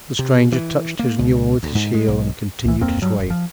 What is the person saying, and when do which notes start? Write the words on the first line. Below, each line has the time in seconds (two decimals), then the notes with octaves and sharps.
The stranger touched his mule with his heel and continued his way.
0.19 C3
0.52 E3
0.99 A#3
1.19 C#2
1.63 D2
1.75 G#2
1.94 G#3
2.08 B1
2.65 C2 E3
2.80 D1 F2 A#3 C4
3.02 G2 F#3
3.17 E1
3.30 F3